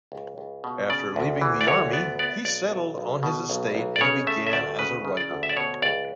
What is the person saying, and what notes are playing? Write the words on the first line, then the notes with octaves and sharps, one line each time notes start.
After leaving the army he settled on his estate and began as a writer.
C#2
C#2
B2
C#3 D5
D2
E3
D5
D2 C#5
B3 D5
B3 D5
B1 D5
B1
B1
B2
B1
B1
D5
C#3 C#5
A3 E5
E5
D2 D5
C#3 B4
C#3
D5
D2
E5
D5
B2 C#5
C#2 D5